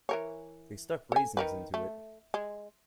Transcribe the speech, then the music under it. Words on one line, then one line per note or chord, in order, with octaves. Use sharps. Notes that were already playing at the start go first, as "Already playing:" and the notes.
They stuck raisins into it.
E3 A#4 C#5
A4 G#5
D#3 A#4 B4
A3
G#3